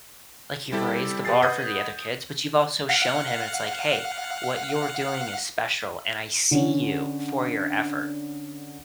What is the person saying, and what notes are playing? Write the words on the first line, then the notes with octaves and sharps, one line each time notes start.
like, you've raised the bar for the other kids, but you've also shown him it's like, "Hey, what you're doing is special, and I see you for your effort."
G3 C4 E4 G4 A4
B2 B3 G4 G#4 A6 C7
B4 D#5 F#5 D#6 G6 G#6
F5 F#5
D3 C#4